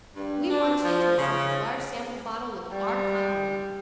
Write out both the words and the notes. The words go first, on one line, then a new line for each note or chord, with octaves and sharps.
We want you to accept a large sample bottle with our compliments.
G2
D4
F3
C#3
G3